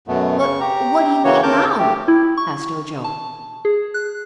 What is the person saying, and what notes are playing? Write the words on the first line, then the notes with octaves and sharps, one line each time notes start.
"But what do you eat now?" asked Ojo.
F#2 B2 A3 B3
C#3 C#6
G4 A#5
C#3 E3 A#3 F#4 C#5
D#2 C#3 A#4 A5 D6 G6
A3 G4
E4
C#6
A5
G#4
F#6